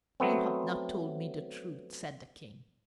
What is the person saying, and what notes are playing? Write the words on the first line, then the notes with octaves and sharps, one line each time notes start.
"You have not told me the truth," said the King.
F#3 A3 B3 C4